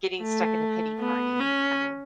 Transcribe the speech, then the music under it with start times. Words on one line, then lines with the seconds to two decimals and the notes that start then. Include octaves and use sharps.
getting stuck in a pity party um,
0.21 A3
0.99 B3
1.40 C#4